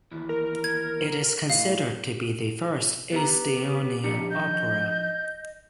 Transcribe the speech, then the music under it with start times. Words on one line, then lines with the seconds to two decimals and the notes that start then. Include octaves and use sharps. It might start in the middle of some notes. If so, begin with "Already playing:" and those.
It is considered to be the first Estonian opera.
0.12 D#2 E3
0.29 A#4
0.64 G#6
1.50 A2 D#4 F5
3.12 B3 G4 E5 A#5
4.04 F3 D4 D#4 C#7
4.30 D#5 G6